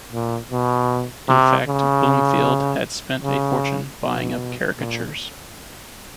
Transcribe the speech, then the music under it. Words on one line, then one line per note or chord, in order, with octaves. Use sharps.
In fact Bloomfield had spent a fortune buying up caricatures.
A#2
B2
C3
C#3
C#3
B2
A#2